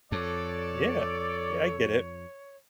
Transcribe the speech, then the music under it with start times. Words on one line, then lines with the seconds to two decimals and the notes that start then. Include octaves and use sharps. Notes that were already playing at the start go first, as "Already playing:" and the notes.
Yeah. Yeah, I get it.
0.12 F2 A4 C#5 D5